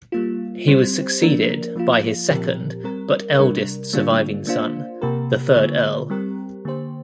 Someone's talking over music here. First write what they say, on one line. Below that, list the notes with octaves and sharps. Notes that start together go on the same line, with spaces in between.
He was succeeded by his second but eldest surviving son, the third Earl.
G3 A#3 F4
G3 C4 G4 C5
F3 A#3 D4 A#4
F3 A#3 F4
A#2 F3 C4 G4 A#4
G3 C4 A#4
C3 G3 D4 A#4
D3 G3 A#3 D4 F4
A#3 D4 F4 C5
C3 A#3 G4 A#4
D3 A#3 F4
G3 C4 G4 A#4
D3 A#3 G4 C5